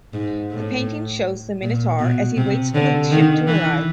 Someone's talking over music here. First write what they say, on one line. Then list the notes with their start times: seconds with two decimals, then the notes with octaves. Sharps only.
The painting shows the Minotaur as he waits for the ship to arrive.
0.14 G#2
0.51 A2
1.63 A#2
1.99 B2
2.37 C3
2.74 D3
3.11 D#3
3.48 E3